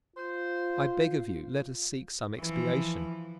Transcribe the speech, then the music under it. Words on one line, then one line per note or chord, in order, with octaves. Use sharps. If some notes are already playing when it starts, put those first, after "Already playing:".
I beg of you let us seek some expiation.
F4 C5
E3 F3